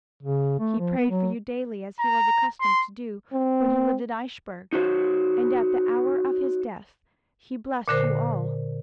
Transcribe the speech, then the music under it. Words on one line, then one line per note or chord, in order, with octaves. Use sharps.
He prayed for you daily, as he was accustomed to do when he lived at Eichbourg, and at the hour of his death he blessed you all.
C#3
A3
F3
B3
F#3
A#5
C6
C4
D#4 F#4 C5 C#5
A#2 D3 A#4 C5